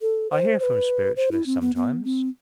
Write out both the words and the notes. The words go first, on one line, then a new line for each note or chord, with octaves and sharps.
I hear from spiritualists sometimes.
A4
C5
C5
B4
C5
E4
C4
B3
B3
C4